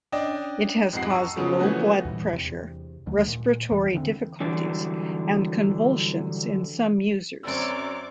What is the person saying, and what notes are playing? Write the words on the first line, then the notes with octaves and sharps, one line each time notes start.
It has caused low blood pressure, respiratory difficulties, and convulsions in some users.
C#4 D4 D5 D#5 G5
F2 G#2 C3 F#5 C7
A5 A#5 C#6 D#6 E6
C#3 F3 F#3 G#3 B3 C#4
E3 F3 A3 B3 C#4 F#4
D#2 A#2 E3 G3
E2 C3
D2 D#3 F#3 A3
A#2
E2 E3 G3 G#3
D3 E3 A3 C4
D3 E3 F#3 G3 D4
F#2 C4 C#5 D5 D6 E6